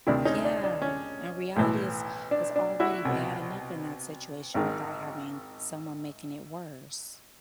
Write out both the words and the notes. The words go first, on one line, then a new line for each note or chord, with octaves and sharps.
Yeah, and reality is is already bad enough in that situation without having someone making it worse.
D2 C3 D#3 D4 E4
C#4 D#4
D4
D4
C#4
B1 A2 E3
D4
D4
E4 F#4
C2 B2
G#1 G#2 D#3